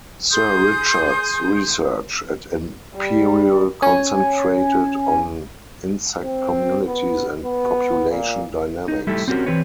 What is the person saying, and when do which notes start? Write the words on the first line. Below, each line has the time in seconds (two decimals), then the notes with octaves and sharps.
Sir Richard's research at Imperial concentrated on insect communities and population dynamics.
0.31 G#4 C6 D#6 G6
2.95 G3
3.82 C#4 G#5
6.24 C4
6.87 B3
7.45 B3
8.10 A#2
8.88 D#4
9.07 G3 A3 E4 G4 A4
9.28 C4 C#4 F#4 G4 A#4
9.46 E3 C4 G4 B4 C#5